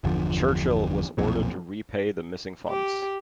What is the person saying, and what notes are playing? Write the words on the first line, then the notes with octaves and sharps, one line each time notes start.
Churchill was ordered to repay the missing funds.
G1 E2 D3 F3
B1 F2 A#2
G4